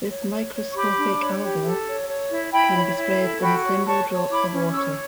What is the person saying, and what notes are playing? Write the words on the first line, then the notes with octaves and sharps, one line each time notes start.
This microscopic alga can be spread in a single drop of water.
C#5
C#5
C#5
C#6
G4 B5 D6
D4
C#5
G4
A4
C#5
C#5
E4
E4 G5 B5
C#5
E4
A4
F#4 G5 B5
C#5
C#5 A5 C#6
C#5
E4 B5 D6
C#4
C#5 C#6 E6